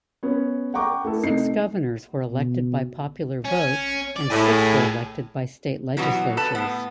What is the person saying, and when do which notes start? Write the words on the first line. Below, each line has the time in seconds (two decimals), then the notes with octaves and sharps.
Six governors were elected by popular vote and six were elected by state legislatures.
0.23 B3 C#4
0.74 F#5 G5 A#5 C#6 D6
1.05 A3 E4 A4
1.23 C3 A3 D#4 C7
2.31 B2
3.45 C#4
4.16 D5
4.31 A2 G#4 A4
5.97 B2 E3 F#3 B3 F#4
6.37 A4 B4 A5
6.55 A2 B3